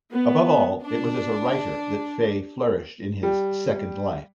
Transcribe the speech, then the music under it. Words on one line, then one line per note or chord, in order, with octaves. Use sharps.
Above all, it was as a writer that Fei flourished in his 'second life'.
B3
D4
G3